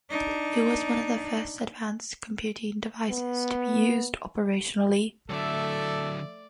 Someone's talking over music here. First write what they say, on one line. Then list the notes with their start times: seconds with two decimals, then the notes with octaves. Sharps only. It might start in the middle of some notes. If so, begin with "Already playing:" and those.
It was one of the first advanced computing devices to be used operationally.
0.10 D4 D#4
3.10 B3
5.29 D3 F#3 A3 A4 D5 E5